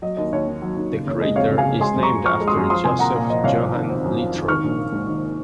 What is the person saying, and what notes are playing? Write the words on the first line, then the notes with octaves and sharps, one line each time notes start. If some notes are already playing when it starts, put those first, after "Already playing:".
The crater is named after Joseph Johann Littrow.
F#3 D#5
D#2 D#5
D#2 C#5
D#3
F#3
D#2
C#3
F#1 C#5
G#3 D#5
F2 C#5 F5
C#3
F5 G#5
F#1
G#3 G#5 C6
F#2
A#5 C#6
F#2
F3 C#6 F6
G#3
C6 D#6
F#2
F3 C6 D#6
C2 G#5 C6
A#3 F#5 A#5
A#2
F3 D#5
C2 C#5 F5
F3
G#1
C4
F#2
F3
G#1
D#3 C#6 F6
A#1
A#3
G#2
D#3